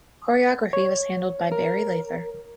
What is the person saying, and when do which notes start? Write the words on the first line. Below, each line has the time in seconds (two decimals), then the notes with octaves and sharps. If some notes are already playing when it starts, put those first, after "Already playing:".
Choreography was handled by Barry Lather.
0.73 C#5
1.52 A#4